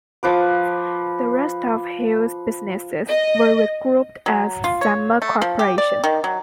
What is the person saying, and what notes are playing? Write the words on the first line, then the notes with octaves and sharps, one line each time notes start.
The rest of Hughes' businesses were regrouped as Summa Corporation.
F3 B4 D6
D#5
F#3
F4
C#5
A3
F3
G4
D5
D#3
F#3